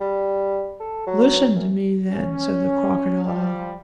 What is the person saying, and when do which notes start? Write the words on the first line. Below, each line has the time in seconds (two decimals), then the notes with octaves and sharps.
"Listen to me, then," said the Crocodile.
0.01 G3
0.80 A4
1.06 F#3
1.55 F#2
2.11 C#4
3.25 F3 G3